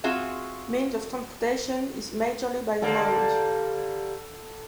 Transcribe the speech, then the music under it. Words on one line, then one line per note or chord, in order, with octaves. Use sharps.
Means of transportation is majorly by road.
C4 F4 F#4 G#4 E5
D3 G3 A#3 A4 F#5